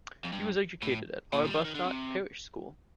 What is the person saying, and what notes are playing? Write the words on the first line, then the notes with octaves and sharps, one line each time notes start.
He was educated at Arbuthnott Parish School.
F2
G2
A2
A#2
G3
F3
D#3
D3
C3